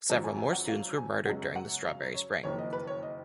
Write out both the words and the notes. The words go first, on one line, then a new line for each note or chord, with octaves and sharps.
Several more students were murdered during the strawberry spring.
G#1 F#2 F3
G#5
G#5
F#5
F5
G#5
F#2 C#3 G#3 B3 F#5
F#5
F5
C#5
F#1 F2 D#3 A#3 C#5
D#5
B4
C#5
D#5